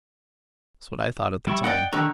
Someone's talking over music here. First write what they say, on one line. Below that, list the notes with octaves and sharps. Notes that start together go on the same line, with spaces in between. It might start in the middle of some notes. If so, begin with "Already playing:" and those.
That was what I thought at the time.
G3 E4 C#6
D5 D#5 F#5 G5
D3 D#3 A#5 C#6 F#6